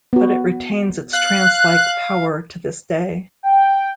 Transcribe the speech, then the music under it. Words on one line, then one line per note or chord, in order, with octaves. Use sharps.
But it retains its trancelike power to this day.
B3 F#4
F5 F#6
G5